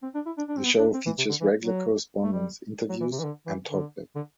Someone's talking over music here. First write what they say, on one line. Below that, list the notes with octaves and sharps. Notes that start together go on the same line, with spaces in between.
The show features regular correspondents, interviews and talkback.
C4
D4
E4
D4
D4
C4
B3
D4
C4
E3
C3
D3
E3
F#3
A3
G3
F#3
E3
C3
E3
D3
E3
D3
D3